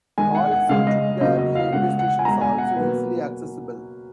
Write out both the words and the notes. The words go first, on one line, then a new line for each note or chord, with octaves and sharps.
Also, Toongabie Railway station is also easily accessible.
D#3 G#3 G#5
F#5
F#5
C#3 G#3 F5
D#5
C#3 F#3 A#3 D#5
D#5
F5
C#3 G#3 F#5
F#5
G#5
B2 G#3 A#5
G#5
F#5
B2 F#3 A#3 B4